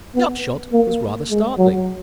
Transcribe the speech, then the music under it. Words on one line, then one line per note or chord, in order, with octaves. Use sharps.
The upshot was rather startling.
B3
A#3
G#3
F#3